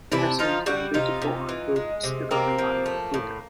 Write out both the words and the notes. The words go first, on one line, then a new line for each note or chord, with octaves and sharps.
He has since done beautiful art books about the life of Buddha.
C3 D4 E4
F3 D#4 F4
G3 E4 F#4
C3 D#4 F4
C3
E3
G#3
C3
C3 A#3 C4
F3
A3
A2